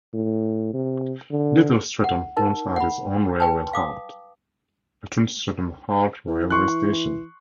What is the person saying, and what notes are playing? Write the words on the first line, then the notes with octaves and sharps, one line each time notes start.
Little Stretton once had its own railway halt: Little Stretton Halt railway station.
A2
C3
D3
F#5
D#4 A#4 A5
F#5 B5
B4 G5 A5
F5 D6 D#6
E3
E3 C6 C#6 F#6